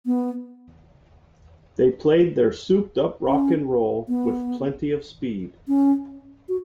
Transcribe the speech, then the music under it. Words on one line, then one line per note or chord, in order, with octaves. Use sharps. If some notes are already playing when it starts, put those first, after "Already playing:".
They played their souped up rock and roll with plenty of speed.
B3
C#4
B3
C#4
F#4